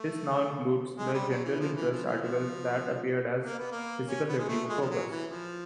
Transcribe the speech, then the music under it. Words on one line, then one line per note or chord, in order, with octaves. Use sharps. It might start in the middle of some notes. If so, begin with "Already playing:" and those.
This now includes the general-interest articles that appeared as "Physical Review Focus".
Already playing: A3
G#3
G3
F#3
E3
F3
E3
F3
E3
F3
A#3
B3
A#3
C#4
B3
G#3
A3
G#3
F3
F#3
E3
F3